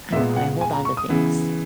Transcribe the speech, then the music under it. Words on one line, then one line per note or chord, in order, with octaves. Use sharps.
I don't know. I hold on to things.
A#2 G#3 B3 E5
F#5
G#5
A#5
C#6
D#6
C#3 E3 B3